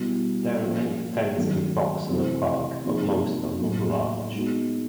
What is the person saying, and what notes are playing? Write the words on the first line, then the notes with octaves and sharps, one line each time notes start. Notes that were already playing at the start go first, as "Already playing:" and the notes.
There are many fens and bogs in the park, but most are not large.
Already playing: B2 G3 B3 E4
A#2 F3 A#3 C#4
D#3 F#3 A3 C#4
C3 E3 A3 C4
C3 F3 A#3 D#4 G#4
A2 F#3 A#3 D4
G#3 B3 D#4 F#4